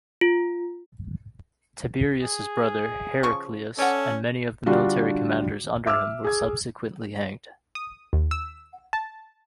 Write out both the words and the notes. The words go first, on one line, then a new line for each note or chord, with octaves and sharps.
Tiberius's brother, Heraclius, and many of the military commanders under him were subsequently hanged.
F4
G#4
C#3 F3 C#6
C#4 A4 D5 F#5
D3 G3 D4 F4 F#4
E5 D6 E6 F6
G#4 G#6
D#6
D#2
E6
A5